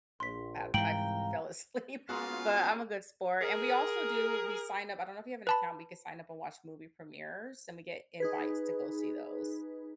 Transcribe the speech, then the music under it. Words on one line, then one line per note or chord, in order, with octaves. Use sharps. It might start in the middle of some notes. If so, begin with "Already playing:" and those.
I've I've fell asleep, but I'm a good sport, and we also do we sign up, I don't know if you have an account, we could sign up and watch movie premieres, and we get invites to go see those.
A#1 C6 B6
C2 G#2 E3 F5 G5 A#5 D7 F#7
G#3 A#3 B3 C#4 F4 F#4 F5 F#6
G#4 A#4
B4 A5 B5
D#4 G#4 B4